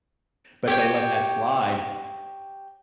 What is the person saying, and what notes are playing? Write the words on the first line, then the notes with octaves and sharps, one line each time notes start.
But they let that slide
G4 C#5 G5